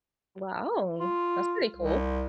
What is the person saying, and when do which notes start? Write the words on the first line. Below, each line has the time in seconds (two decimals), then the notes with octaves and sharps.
Wow, that's pretty cool.
1.00 F4
1.76 C2